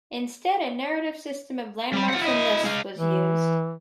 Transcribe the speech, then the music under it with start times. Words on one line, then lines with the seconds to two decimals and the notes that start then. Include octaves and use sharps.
Instead a narrative system of landmarks and lists was used.
1.93 G3 B5
2.10 F4 F#5
2.22 E4 D#5
2.64 G#3 F5
2.97 E3